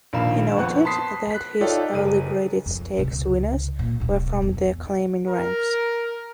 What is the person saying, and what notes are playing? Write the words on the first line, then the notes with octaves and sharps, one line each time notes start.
He noted that his early graded stakes winners were from the claiming ranks.
A#1 A#2 D#3 F5 B5 E7
F2 B3 C4 F#5 C#6 F#6
A5 B5 C6 D#6 B6 C7
F#6 B6
D#4 F4 A4 C#5 D5 G5
F#1 G#4 D#7
F2
C#2 C3
A#2
D1 B1
E2
A#4